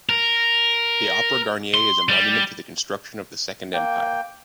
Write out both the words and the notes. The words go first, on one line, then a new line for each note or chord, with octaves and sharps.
The Opera Garnier is a monument to the construction of the Second Empire.
A#4
C6
G3
A#3 G5